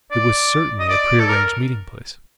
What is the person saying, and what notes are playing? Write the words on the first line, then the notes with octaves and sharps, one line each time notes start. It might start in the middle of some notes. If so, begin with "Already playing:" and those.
It was certainly a prearranged meeting place.
D5
D#5
D5
A4
A#4